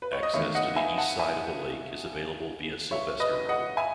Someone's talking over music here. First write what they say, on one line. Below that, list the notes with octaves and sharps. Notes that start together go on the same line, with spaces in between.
Access to the east side of the lake is available via Sylvester Road.
B4
C#5
D#5
E2 D#3 A3 C#5 E5
D#5 F#5
E5 G#5
F#5 A5
E5 G#5
C#5 E5
B4 D#5
D#5 F#5
E5 G#5